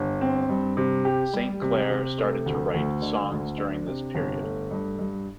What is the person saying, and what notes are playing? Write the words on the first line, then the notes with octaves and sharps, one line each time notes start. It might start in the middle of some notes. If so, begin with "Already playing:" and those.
Saint Clair started to write songs during this period.
Already playing: G1
C4
G2
C3
G4
G3
C3
C3
A3
D2
D2
D3
D2
D4
C3
G1
A3
G2
G2